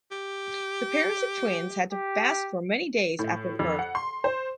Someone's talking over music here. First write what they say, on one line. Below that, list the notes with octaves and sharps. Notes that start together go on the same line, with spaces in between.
The parents of twins had to fast for many days after the birth.
G4
G4
A2
F2
F#5
C6
C5